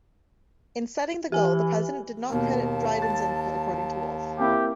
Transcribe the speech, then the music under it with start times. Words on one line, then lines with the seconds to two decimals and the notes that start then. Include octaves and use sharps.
In setting the goal, the president did not credit Dryden's input, according to Wolfe.
1.32 E3 G4 G#5
2.29 D#2 B2 A#3 A5
3.02 A6
4.39 A#3 C4 E4 G4